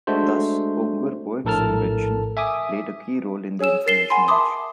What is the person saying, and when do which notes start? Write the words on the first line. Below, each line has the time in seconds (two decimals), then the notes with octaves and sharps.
Thus Ungerboeck's invention played a key role in the Information Age.
0.07 G#3 A3 D4 F#4 C5
1.45 A#1 A2 A4 A#4 A5 F6
2.37 E5 G#5 D6 D#6
3.59 G#4 C#5 G#5 E6 E7
3.86 A#4 A6 C7 E7 G7
4.10 F#5 G#5 B5 C6
4.28 E5 A5 B5 C6 D6 D#6